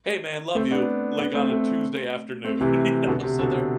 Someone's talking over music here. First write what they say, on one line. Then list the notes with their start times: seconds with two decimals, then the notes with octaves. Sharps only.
"Hey, man, love you," like on a Tuesday afternoon, you know? So they're,
0.55 A3 C4
0.71 B3 D4
1.18 B3 D4
1.34 A3 C4
1.50 A3 C4
2.44 A3 C4
2.61 C3 E3
3.07 B2 D3
3.23 C3
3.39 B2 D3